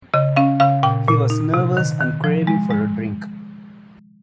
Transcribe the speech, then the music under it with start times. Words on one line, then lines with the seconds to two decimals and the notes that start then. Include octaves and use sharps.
He was nervous and craving for a drink.
0.14 C#3 D#5
0.36 C#4 F5
0.60 C#3 F5
0.83 A#2 G5
1.08 A#2
1.30 D#4
1.54 C3
1.77 D#3
2.01 D#3
2.24 F3
2.47 G#3
2.70 G#3